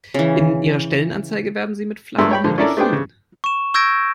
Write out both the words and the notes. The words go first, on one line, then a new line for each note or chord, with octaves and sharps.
In Ihrer Stellenanzeige werben Sie mit flachen Hierarchien.
C#3 E3
G2 A3 A#4 E5 C6 E6
C#5 G5 B5
A#1 D3 C5 C6
C#4 D4 E4 A4 A#4 D5
A3 B3 D4 G#4 C5 G5
C#3
C#6 E7
C#6 E6 G6 G#6 A#6 D7